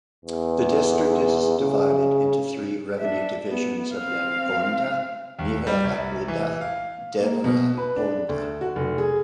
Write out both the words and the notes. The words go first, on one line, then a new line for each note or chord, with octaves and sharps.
The district is divided into three revenue divisions of Nalgonda, Miryalaguda, Devarakonda.
E2
C#3
D4 E5
B3
C4 F5
D#2
G3
C2
E3
F5
A#3
B2
B4
D4
D2
F#4
F1
G#4